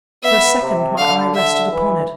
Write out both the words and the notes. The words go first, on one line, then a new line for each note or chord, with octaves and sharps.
For a second my eye rested upon it.
B3 E5
C3
D3 F5
D3 E5
E3